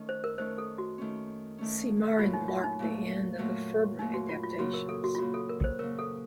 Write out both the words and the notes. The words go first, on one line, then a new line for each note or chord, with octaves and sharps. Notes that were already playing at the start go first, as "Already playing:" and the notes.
"Cimarron" marked the end of the Ferber adaptations.
Already playing: D#3 A3 C#4
C5
A#4
D#3 A3 C#4 C5
A4
F#4
D#3 A3 C#4
D#3 A3 C#4
A#2 F#3 A3 F4
D#4
F4
D#4
A#2 F#3 A3
A#2 F#3 A3
A#2 F#3 A3 D#4
F#4
F4
F4
C#3 F#3 A#3 F#4
A#4
A4
F#4
F4
C#3 F#3 A#3 F#4
A4
A#4
C5
C#3 F#3 A#3 A#4
A4